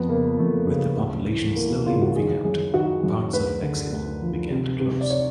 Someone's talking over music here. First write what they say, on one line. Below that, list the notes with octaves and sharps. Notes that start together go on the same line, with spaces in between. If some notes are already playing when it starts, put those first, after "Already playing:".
With the population slowly moving out, parts of Bexhill began to close.
Already playing: F2 B3
C#3 A#3
F2 A3
C#3
D2
E3
E3 A#3
C#3 F4
F#4
D#3 G#4
F#2 G#4
D#3 F#4
F#2
D2 B4
D3
D2
F3
C3
C3
D5
C#5